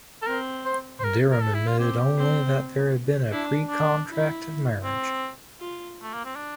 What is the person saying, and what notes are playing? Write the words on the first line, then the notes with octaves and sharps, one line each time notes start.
Dereham admitted only that there had been a pre-contract of marriage.
A4
C4 A#4
C5
C5
A#4
A#4
A4
E4
F4
C4 G4
C4
D4 E4
D4
E4
C4
F4
A3
A#3
C4
D4